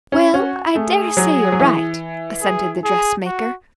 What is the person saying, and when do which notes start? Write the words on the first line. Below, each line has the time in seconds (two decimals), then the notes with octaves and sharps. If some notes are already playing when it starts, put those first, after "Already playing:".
"Well, I dare say you're right," assented the dressmaker.
0.12 C#4
0.34 C#4 F#4
0.75 A3 G#4
1.17 F#3
1.52 F#3
1.59 E3
2.42 G#4
2.84 G#4
3.26 F#4